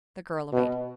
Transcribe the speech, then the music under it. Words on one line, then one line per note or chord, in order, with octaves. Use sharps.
The girl obeyed.
B2